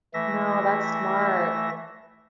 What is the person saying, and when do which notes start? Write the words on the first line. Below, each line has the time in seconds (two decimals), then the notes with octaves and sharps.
No, that's smart.
0.14 E3 A3 E5 A#6